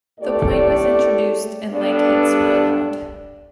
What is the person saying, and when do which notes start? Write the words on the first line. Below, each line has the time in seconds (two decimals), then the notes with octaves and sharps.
The point was introduced and leg hits were allowed.
0.19 A2 A3 G4 D5
1.71 G2 G3 B3 D4 A4